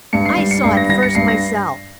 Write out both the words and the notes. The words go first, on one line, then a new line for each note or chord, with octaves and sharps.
I saw it first myself.
G2 C#7
C7
G3 C7
C#7
G2 C7
A#6
G3 A#6
C#7
G2 C7
A#6